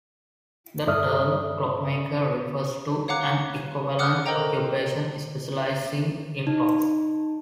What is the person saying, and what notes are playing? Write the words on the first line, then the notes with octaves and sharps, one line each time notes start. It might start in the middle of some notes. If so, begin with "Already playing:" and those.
The term clockmaker refers to an equivalent occupation specializing in clocks.
G2 A4 D5 E5 D#6 F6
C#5 F5 F#5 A#5 D6 F#6
C#5 F#5 D6 D#6 F6 F#6
A4 A#4 C5 D#5 G5 A#5
D#4